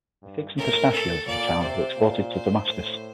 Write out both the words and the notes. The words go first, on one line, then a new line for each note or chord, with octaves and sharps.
The figs and pistachios of the town were exported to Damascus.
G2
A2 A#4
A2 A4
A#2 D5
C3 C5
A#2
C5
A2 C5